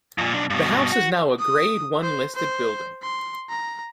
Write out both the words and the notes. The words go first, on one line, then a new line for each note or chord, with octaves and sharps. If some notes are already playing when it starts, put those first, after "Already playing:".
The house is now a grade one listed building.
F2 A#2
B1 D4
G2 B2
F#4
D#6
C5
C5
C6
A#5